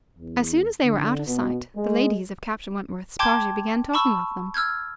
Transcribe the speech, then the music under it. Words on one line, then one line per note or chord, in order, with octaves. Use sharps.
As soon as they were out of sight, the ladies of Captain Wentworth's party began talking of them.
E2
D3
B2
G#3
G5 A5 C6 D6 G6 G#6
A5 B5 C#6 E6
E6 F6 G6 G#6